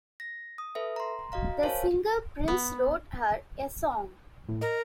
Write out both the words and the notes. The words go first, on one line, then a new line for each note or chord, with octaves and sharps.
The singer Prince wrote her a song.
A#6
D#6
A4 B4 E5
A#5 C6
F#4 D#5 F5 A#5
A#4 C5 C#5 F5 G#5 A5
B3
A2
A#4 D#5